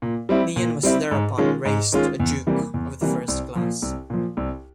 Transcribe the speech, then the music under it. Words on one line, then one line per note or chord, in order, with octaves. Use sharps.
Nian was thereupon raised to a Duke of the First Class.
A#2
G3 C4 E4
A#2
G3 C4 E4
G#2
D#3 G#3 C#4 F4
G#2
D#3 G#3 C#4 F4
E2
C3 E3 G3 A#3
E2
C3 E3 G3 A#3
C2
A#2 F3
C2
A#2 F3
C2